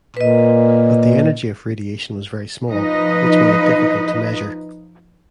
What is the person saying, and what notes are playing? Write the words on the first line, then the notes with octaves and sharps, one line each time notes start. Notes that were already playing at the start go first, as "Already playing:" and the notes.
But the energy of radiation was very small, which made it difficult to measure.
A#2 B4 D#5
F3 D#4 B4 D#5